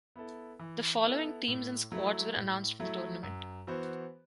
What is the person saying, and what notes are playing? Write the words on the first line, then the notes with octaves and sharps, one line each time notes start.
The following teams and squads were announced for the tournament.
B3 E4 A4
E3
B3 E4 A4
A2
F#3 A3 E4
A2
F#3 A3 E4
F#2
E3 B3 F#4 C5